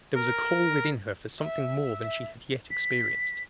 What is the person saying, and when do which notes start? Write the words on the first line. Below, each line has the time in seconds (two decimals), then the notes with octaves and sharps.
There was a call within her for something more than she had yet experienced.
0.16 A#4
1.40 E5
2.71 B6